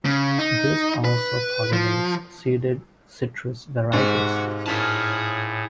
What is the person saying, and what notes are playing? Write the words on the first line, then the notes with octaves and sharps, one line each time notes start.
This also pollinates seeded citrus varieties.
C#3
D#4
B4
F3
G#2 B2 A#3 F#4 G4
A2 C#4 F4 G#4 A#4 A5